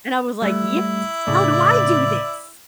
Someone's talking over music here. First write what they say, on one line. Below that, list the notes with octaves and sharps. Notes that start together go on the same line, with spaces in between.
And I was, like, "Yes! How do I do this?"
G3 A3 E4
A2 C#3 A3 D5